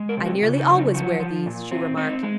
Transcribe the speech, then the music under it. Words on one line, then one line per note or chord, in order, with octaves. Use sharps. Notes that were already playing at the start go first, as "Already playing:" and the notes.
"I nearly always wear these," she remarked.
Already playing: G#3
A#4
C3
F#4
C#3 F4
C#4
D#4
F#3
D#4
F3 F#4
F3
A#2
C4
C4 D#4
G#3